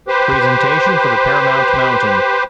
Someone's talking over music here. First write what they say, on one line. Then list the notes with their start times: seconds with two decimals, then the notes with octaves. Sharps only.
Presentation for the Paramount mountain.
0.08 G4 B4 C5